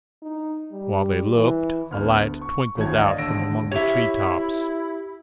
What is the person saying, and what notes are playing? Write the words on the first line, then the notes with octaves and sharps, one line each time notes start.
While they looked, a light twinkled out from among the tree-tops.
D#4
G3
E3
D2 B3 F6
C#6
G#1 D2 A2 E3 C#5 G#6
D5 D#5 F5
E1 D#2 D3 E6 A#6 D7
E4 G4 C#5 E5